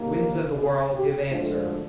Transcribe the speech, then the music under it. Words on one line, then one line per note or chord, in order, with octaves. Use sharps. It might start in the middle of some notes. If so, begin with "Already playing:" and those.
Winds of the world, give answer!
Already playing: D#2 D#3 A#3
A#4
G#4
G4
D2 D3 F3 G#3 F4